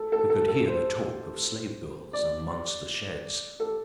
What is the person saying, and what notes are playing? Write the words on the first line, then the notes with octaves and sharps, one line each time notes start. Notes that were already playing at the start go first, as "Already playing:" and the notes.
We could hear the talk of slave-girls amongst the sheds.
Already playing: A4
A4
A4
A4
C5
D5
A4